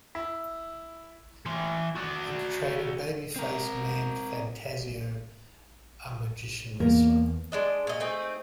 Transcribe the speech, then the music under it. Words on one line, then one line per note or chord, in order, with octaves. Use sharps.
He portrayed a babyface named "Phantasio", a magician wrestler.
E4
E3 C6
F#4 D5
C4 A#4
E2 A#3
G#3 D4 D#5
A#2 D#5
A3 C4 D#4 G#4